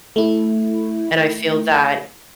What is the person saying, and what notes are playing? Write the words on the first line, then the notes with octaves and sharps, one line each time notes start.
And I feel that
A3 E4